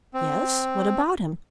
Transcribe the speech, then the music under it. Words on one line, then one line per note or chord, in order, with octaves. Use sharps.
"Yes, what about him?"
C4